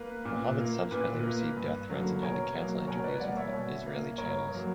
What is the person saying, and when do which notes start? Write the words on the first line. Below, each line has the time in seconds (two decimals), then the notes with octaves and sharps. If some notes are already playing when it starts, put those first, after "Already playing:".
Mohamed subsequently received death threats and had to cancel interviews with Israeli channels.
Already playing: A#3 B4
0.25 A#2
0.59 A#3
0.91 A#2 B4
1.23 A#3
1.56 G2
1.90 D3 F#3 A#3
2.23 B2 A#4 C#5
2.55 F#3 A#3
2.87 B2 A#4 C#5
3.04 B4 D5
3.20 G3 A#3 D5 F#5
3.36 C#5 E5
3.53 B2
3.86 A#3
4.18 G2 A#4 C#5
4.51 F#3 A#3